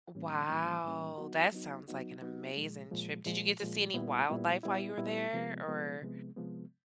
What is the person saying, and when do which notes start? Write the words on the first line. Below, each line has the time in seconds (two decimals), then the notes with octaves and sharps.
Wow. That sounds like an amazing trip. Did you get to see any wildlife while you were there or
0.15 A2 E3 G3 A#3 C#4
0.49 A2 E3 G3 A#3 C#4
0.84 A2 E3 G3 A#3 C#4
1.18 F#3 B3 D#4 F#4
1.52 F#3 B3 D#4 F#4
1.88 F#3 B3 D#4 F#4
2.21 F#3 B3 D#4 F#4
2.57 A#2 F3 G#3
2.91 A#2 F3 G#3
3.26 A#2 F3 G#3
3.60 A#2 F3 G#3
3.94 A#2 G3 B3 E4
4.29 A#2 G3 B3 E4
4.63 A#2 G3 B3 E4
4.98 A#2 G3 B3 E4
5.33 C3 F3 G#3 B3
5.68 C3 F3 G#3 B3
6.01 C3 F3 G#3 B3
6.37 C3 F3 G#3 B3